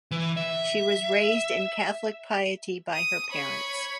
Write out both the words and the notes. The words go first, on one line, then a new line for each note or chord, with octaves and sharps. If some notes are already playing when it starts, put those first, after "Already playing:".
She was raised in Catholic piety by her parents.
E3
E5
D#6
C#5 B5